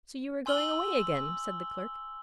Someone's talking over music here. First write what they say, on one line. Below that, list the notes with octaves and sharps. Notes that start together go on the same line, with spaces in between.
"So you are going away again!" said the clerk.
G#5 C6 E6 F#7 G7